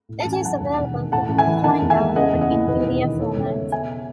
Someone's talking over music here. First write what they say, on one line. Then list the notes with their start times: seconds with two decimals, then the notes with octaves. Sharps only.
It is available for off-line download in pdf format.
0.09 A2
0.20 A1 A5
0.33 G#5
0.43 F#3 F#5 A5
0.60 D#2
0.78 E1
0.95 D#3
1.12 A2 F#5 A5
1.29 A1
1.38 E5 G#5
1.47 E3
1.64 D#3 F#5 A5
1.82 E2
1.90 E5 G#5
1.99 G#3
2.15 C#3 D#5 F#5
2.33 E2
2.41 D#5 F#5
2.51 E3
2.67 D#2 B4 D#5
2.85 E1
3.03 D#3
3.19 B2 A4 C#5
3.37 C#2
3.46 C#5 E5
3.55 G#3
3.72 B2 E5 G#5